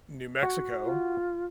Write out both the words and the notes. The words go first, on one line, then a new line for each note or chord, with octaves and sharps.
New Mexico
F#4 F#5
F4